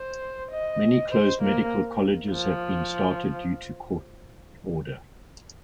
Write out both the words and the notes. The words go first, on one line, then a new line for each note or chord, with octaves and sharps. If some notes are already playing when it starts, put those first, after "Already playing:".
Many closed medical colleges have been started due to court order.
Already playing: C5
D#5
C5
A#3
F3